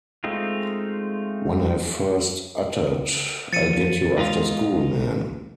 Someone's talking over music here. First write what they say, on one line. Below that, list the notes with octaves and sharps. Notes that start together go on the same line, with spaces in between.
When I first uttered, 'I'll get you after school, man!
G#3 A3 C4 D#4 F4
F3 A6 C#7 D#7
G#2 D#4 F4